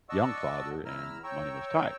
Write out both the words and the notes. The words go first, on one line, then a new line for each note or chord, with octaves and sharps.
young father and money was tight.
D5 D#5 F#5 A5 C#6 E6
E2 E4 A#5 E6 F6
C#5 G5 A#5 C#6 E6